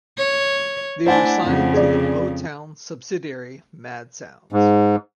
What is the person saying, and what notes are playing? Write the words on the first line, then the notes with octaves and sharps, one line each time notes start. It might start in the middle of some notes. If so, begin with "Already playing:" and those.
They were signed to the Motown subsidiary Mad Sounds.
C#5
A3 D4 E4 C5 F#5 G#5
F2 C#3
G#4 D5
G#2